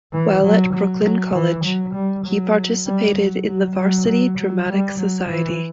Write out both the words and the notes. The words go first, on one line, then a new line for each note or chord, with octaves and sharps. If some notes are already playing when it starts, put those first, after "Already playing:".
While at Brooklyn College, he participated in the Varsity Dramatic Society.
E3
F#3
F#3
F#3
E3
F#3
G3
F#3
G3
F#3
F#3
F#3
F#3
F#3
G3
F#3
E3